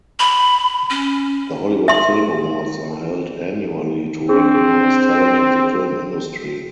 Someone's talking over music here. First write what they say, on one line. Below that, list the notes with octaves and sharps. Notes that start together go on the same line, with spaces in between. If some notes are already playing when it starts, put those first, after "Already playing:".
The Hollywood Film Awards are held annually to recognize talent in the film industry.
B5
C#4
E5 C6
C4 D4 G#4